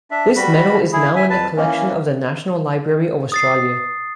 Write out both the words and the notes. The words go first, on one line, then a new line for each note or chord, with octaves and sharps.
This medal is now in the collection of the National Library of Australia.
D4 E5
G3 F#4 B5
E4 G#4
E5 G#5
F2 B4 A5
E3 A#3 C#4
D#6 A6 C7